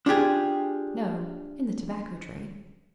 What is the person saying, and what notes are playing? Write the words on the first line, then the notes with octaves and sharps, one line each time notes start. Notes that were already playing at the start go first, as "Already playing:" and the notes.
'No, in the tobacco trade.'
D4 F4 G4 G#4